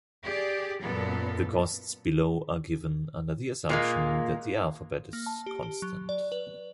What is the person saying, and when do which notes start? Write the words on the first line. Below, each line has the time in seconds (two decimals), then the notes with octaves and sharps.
The costs below are given under the assumption that the alphabet is constant.
0.24 G4 G#4 D5
0.81 F#2 A#2 B3 A4
3.69 A#2 G#3 A#3
5.13 A#3
5.26 A5
5.46 G4
5.63 G4
5.82 F#3
6.09 D5
6.32 B4